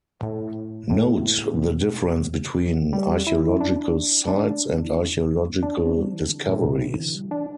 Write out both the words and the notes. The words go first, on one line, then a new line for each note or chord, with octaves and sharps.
Note the difference between archaeological sites and archaeological discoveries.
A2
A2
C3
B2
D3
C3
G3
E4
D4
D4
E4
D4
D4
C4
G3
E3
D3
A2
B2
C3
D3
E3
G3
D4